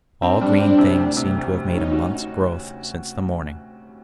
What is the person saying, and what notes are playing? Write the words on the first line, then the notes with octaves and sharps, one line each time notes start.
All green things seemed to have made a month's growth since the morning.
C4 D4
G3
C4
C3
D2
C3
D2
D2
C#4 D#4
F#4
C#4